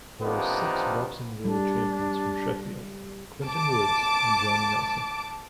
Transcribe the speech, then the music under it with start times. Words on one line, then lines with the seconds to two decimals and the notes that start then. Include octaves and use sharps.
There are six boxing world champions from Sheffield, Clinton Woods and Johnny Nelson.
0.22 C3 D#3 F3 A#3 B3 D4
1.45 G3 D4
3.44 A5 D6